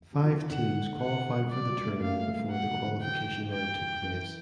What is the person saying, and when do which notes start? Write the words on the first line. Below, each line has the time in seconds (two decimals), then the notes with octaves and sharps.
Five teams qualified for the tournament before the qualification round took place.
0.13 F#3
0.22 F3
0.31 E3
0.41 D#3
0.50 D3 F#5
1.01 F#5
1.43 G3
1.51 F#3 D5
1.68 G3
1.85 A3
2.01 A#3 F5
2.18 A3
2.35 G#3
2.51 F#3 F#5
2.69 D3
2.85 E3
3.02 G5
3.52 G5
4.03 E3